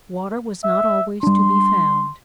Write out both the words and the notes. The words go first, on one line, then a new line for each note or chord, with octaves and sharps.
Water was not always to be found.
E5
G3 D4 C6